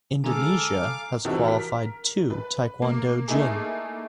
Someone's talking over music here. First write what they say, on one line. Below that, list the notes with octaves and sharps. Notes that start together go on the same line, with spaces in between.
Indonesia has qualified two taekwondo jin.
D3 G#3 A4 F5 G#5 A#5 D6
C3 E3 F3 D#4 F#4
A#4 B6
B4
A#3
A3 A#3 D#4 E4 G#4